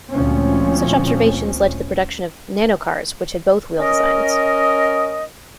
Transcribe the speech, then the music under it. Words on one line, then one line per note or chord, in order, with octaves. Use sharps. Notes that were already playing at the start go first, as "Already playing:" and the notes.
Such observations led to the production of nanocars which had both wheel designs.
D2 A#2 F3 G#3 C4 C#4
C#4 A#4 D#5